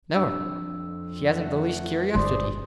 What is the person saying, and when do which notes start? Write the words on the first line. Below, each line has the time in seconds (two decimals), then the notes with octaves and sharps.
"Never; he hasn't the least curiosity."
0.15 F2 D4 E6
1.28 A3 F#5
2.15 G1 D3 G#4 C5 D5 C6